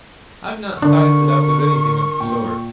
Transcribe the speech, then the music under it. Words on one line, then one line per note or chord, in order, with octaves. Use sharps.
I've not sized it up as anything of the sort.
D3 D4 A#4 C#6
A#2 G5